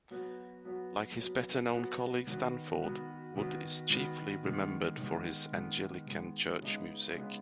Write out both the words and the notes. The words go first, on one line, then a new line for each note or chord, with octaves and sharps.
Like his better-known colleague Stanford, Wood is chiefly remembered for his Anglican church music.
F#3 B3 F#4 B4
F#3 B3 F#4 B4
F#3 B3 F#4 B4
F#3 B3 F#4 B4
D#3 B3 F#4 B4
D#3 B3 F#4 B4
D#3 B3 F#4 B4
D#3 B3 F#4 B4
D#3 G#3 B3
D#3 G#3 B3
D#3 G#3 B3
D#3 G#3 B3
C#3 G#3 B3 D#4 B4
C#3 G#3 B3 D#4 B4